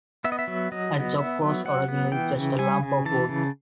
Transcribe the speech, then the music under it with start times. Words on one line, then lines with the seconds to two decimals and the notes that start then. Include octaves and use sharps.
A "chock" was originally just a lump of wood.
0.24 B3 E5
0.32 D#5
0.39 E5
0.48 F#3
0.72 F#3 D#5
0.95 B3
1.18 B3 E5
1.41 F#3
1.65 F#3 F#5
1.88 B3
2.12 E3 G5
2.36 C#3
2.59 G3 G#5
2.83 C#3
3.05 E3 A5
3.29 C#3